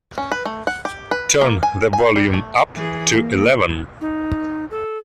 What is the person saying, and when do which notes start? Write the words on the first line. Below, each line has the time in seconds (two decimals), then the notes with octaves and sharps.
Turn the volume up to eleven.
0.18 C#4
0.32 B4
0.45 A3
0.67 F#5
0.85 G4
1.11 B4
1.41 A#3
1.63 G#5
1.93 G#5
2.16 G3
2.34 A3
2.76 E3 G#4
3.12 A#3
4.01 D#4
4.71 A4